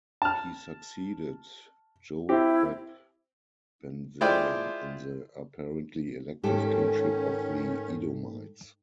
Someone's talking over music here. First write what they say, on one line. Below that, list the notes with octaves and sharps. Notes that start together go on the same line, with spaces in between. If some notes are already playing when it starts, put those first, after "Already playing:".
He succeeded Jobab ben Zerah in the apparently elective kingship of the Edomites.
A5 F6
C4 E4 G4
G#3 E4 F4 C5 D5 G5
G#2 D#3 C#4 G4 A4